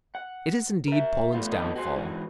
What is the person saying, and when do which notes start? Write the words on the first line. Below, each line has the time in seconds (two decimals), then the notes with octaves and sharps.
It is indeed Poland's downfall.
0.15 F#5
0.88 A#4 E5
1.33 A3 B3 F4
1.52 D#3 B3 A4 D#5
1.76 F#4 G#4 C5
1.95 G#2 E3 F#4